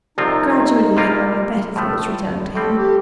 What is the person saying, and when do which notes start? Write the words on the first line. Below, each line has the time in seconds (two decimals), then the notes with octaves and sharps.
Gradually, however, better thoughts returned to him.
0.18 C2 C3 F3 C4 D#4 F4
0.97 C3 G3 A#3 F4 A#4
1.76 A2 F3 A3
2.55 A2 G3 C4 A4
2.75 G4